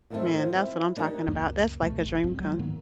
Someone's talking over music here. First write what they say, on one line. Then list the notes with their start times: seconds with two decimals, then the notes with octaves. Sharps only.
Man, that's what I'm talking about, that's like a dream come
0.10 F#2 A2 D#3 G3 A3 C4
0.34 D#3 F3
0.54 C4 E4
0.97 A#3 D4 D#4 G4
1.27 C#2 F#2 A#3
1.81 C#2 B2 A3
2.02 F#1
2.24 C2 G2 C4
2.40 F#3 G#3
2.59 G#2 D#3 A#3 B3